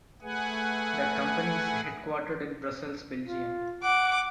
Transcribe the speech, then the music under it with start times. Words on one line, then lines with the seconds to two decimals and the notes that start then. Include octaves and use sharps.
The company is headquartered in Brussels, Belgium.
0.22 A3 G#4 B4 F#5 G#5
3.24 F4
3.83 F#5 D6